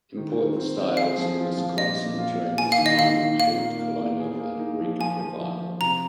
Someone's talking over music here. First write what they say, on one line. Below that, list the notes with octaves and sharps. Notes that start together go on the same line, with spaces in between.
Important styles in Wisconsin during this time include colonial and Greek revival.
D#3
D#3
C4
C4
G#4 F5
F3
F4
F3
A#2 D#5
A#2
F4
A#2
A#3 G#5
F5
D#3
D#5
D#3 F5
D#3
A#2 F5
A#3
A#3
A#2
G#4
A#3
D#4
F3
F3 G#5
F3
F3
F3
C3 A#5